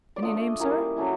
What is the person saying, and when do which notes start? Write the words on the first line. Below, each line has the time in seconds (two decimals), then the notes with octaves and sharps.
"Any name, sir?"
0.16 D5
0.22 A3 D4 F4 D#5
0.59 G3 A#3 C#4 E4
0.97 F#3 A3 C#4 E4